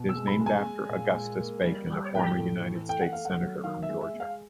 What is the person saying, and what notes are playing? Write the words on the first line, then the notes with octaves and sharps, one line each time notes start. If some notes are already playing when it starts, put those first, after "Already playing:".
It is named after Augustus Bacon, a former United States Senator from Georgia.
Already playing: B2
E6
G#3
B5
G#3
G#5
G#3
A#2
G#3
A#3
G3
G3
A2 G5
A2
E3
A3 G5
F#5
A3 F5
F#5
F#3
D#3 F5
E5
G#3
E5
G#3
F5